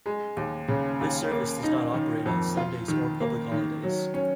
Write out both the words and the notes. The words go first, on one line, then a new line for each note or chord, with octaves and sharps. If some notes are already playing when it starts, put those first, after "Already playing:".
This service does not operate on Sundays or public holidays.
G#3
D#2
C#3
D#2
A#3
D#4
D#3
F2
F4
D#3
A#3
D#3
F#3
C#4